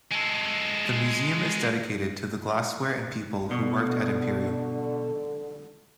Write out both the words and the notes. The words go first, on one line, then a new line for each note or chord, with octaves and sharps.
The museum is dedicated to the glassware and people who worked at Imperial.
G#3 A4
B2 D3